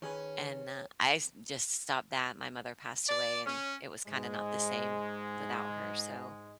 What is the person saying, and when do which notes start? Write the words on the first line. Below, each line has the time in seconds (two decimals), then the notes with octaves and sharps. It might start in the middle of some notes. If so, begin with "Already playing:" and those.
And, uh, I s just stopped that. My mother passed away, and it was kinda not the same without her. So
0.02 D#3 C#4 G#4 B4
3.08 D5
3.46 C#4
4.08 G#2 G#3